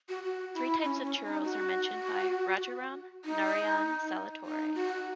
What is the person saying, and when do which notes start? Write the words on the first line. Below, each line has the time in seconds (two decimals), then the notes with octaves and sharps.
Three types of Churels are mentioned by "Rajaram Narayan Saletore".
0.09 F#4
0.24 F#4
0.54 E4
0.84 C#4
1.04 C#4
1.24 D#4
1.44 F#4
3.25 D#4
4.45 D#4
4.75 F#4